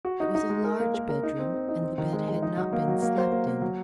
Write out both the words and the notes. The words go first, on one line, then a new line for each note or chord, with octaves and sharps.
It was a large bedroom, and the bed had not been slept in.
F#4
D#4
D#4
G#3
A#4
A#3
A#4
A#4
D#4
C4
C4
D#4
C4
D#3
G#3
G#3
D#4
F#3
A#3
F#3
A#3
C5
A#3
A#3
F#3